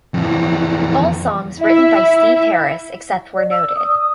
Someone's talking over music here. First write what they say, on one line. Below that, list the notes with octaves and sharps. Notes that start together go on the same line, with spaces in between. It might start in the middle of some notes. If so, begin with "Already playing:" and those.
All songs written by Steve Harris except where noted.
F2 E3
E4 E5
D5
E6
D#6
D#6